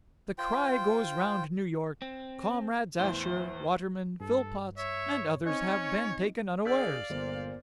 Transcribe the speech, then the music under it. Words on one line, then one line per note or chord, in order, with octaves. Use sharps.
The cry goes round New York, 'Comrades Asher, Waterman, Philpotts, and others have been taken unawares.
F4 C5 G5
C4
E2 A2 C5
G2 A4
C#5 E5
C4 C#4 D#4 C#5 D#5
D#3 D4 G#4 D5 F5 E6 G6 B6
G1 A#2 C5